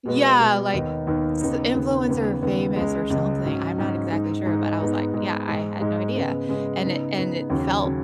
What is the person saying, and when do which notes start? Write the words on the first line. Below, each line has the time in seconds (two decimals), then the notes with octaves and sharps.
Yeah, like, s influencer famous or something, I'm not exactly sure, but I was like, "yeah, I had no idea," and it and it felt
0.06 B2 G#3 B3
0.39 B2 G#3 B3
0.73 D#2 D#3 B3 D#4
1.07 D#2 D#3 B3 D#4
1.41 D#2 C#3 B3 D#4
1.75 D#2 C#3 B3 D#4
2.09 D#2 C#3 B3
2.42 D#2 C#3 B3
2.76 C#2 C#3 G#3
3.10 C#2 C#3 G#3
3.44 G#2 F#3 C#4
3.78 G#2 F#3 C#4
4.12 G#2 G#3 D#4
4.46 G#2 G#3 D#4
4.80 G#2 G#3 B3 D#4
5.14 G#2 G#3 B3 D#4
5.47 G#2 G#3 D#4
5.81 G#2 G#3 D#4
6.15 C#3 G#3 B3
6.49 C#3 G#3 B3
6.83 C#3 B3 D#4
7.17 C#3 B3 D#4
7.50 D#2 C#3 F#3
7.85 C#3 F#3